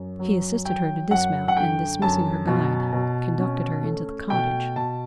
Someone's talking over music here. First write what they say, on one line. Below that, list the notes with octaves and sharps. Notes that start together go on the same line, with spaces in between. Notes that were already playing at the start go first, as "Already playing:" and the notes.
He assisted her to dismount, and dismissing her guide, conducted her into the cottage.
Already playing: F#2
F#3
F#3 G5
F#2 F#5
F#5
D3 G5
F#2 A5
B2
B2
C#4
A3
B2 G5
B2 A5